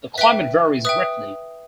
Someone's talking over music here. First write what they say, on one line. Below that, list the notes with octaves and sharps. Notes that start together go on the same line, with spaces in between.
The climate varies greatly.
B4 E5 G5 B6
B4 E5 G5 D#6